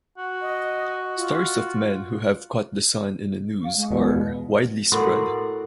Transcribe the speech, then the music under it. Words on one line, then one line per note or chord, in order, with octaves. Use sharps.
Stories of men who have caught the sun in a noose are widely spread.
F#4
D#5
F4
F5
G#3
E2 B2
A2 F#4 A#4 D5 C6